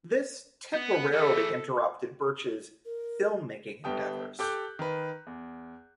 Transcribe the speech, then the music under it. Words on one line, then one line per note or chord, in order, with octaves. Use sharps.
This temporarily interrupted Birch's filmmaking endeavors.
B3
E3 A3 G#4 A4 E5
A#4
G1 G3 B3 G5 A5 D#6
G4 A4 G5 D6 F#6 G6
D#3 B4
E2